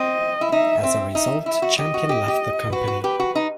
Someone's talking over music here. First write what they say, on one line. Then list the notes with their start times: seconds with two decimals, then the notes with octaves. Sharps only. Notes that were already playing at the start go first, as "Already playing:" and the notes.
As a result, Champion left the company.
Already playing: C4 D#5
0.41 E4
0.52 D#4 E5
0.83 C4 E5
1.15 D#4 E5
1.46 E4 E5
1.62 F#4
1.78 G4 D#5
1.94 F#4
2.09 G4
2.28 G4
2.72 F#4 B4
2.88 F#4
3.04 G4 B4
3.20 F#4
3.35 D#4